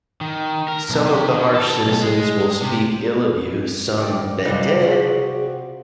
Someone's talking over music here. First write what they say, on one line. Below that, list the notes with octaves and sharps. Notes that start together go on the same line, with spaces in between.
Some of the harsh citizens will speak ill of you, some bette.
D#3
A#4
B1
C3
D#3
A4
B1
G#3
C3
G2 D#3 D5 G5
C3 F#3 G3 D#4 F4 G4 C5
F#4 G#4 D5 F#5